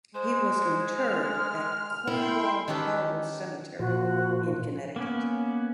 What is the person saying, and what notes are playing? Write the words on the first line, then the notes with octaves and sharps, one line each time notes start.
He was interred at Cornwall Hollow Cemetery in Connecticut.
G#3 C5
F6
E4 A#4 G5 C6
D#3 C#4 G4 A4 B4
A#2 F3 F#4
A#3 B3 C#4